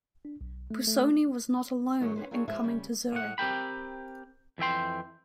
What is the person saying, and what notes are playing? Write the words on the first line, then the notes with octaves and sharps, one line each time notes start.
Busoni was not alone in coming to Zurich.
D4
B1
A3
A3
G#2 D#3 F#3 G#3 C#4
C#4 B4 C5
A#3 C4 D4 F4 G#4 C#5
F3 G#3 G#4 B4 C5 E5
C#3 G3
A2 F#5
C4 G4 A#4 G5 B5
F2 E3 E5 G5 C6